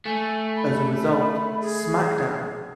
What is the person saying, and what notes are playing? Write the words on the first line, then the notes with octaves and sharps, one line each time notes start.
As a result, SmackDown!
A3 G#5
B5
G#4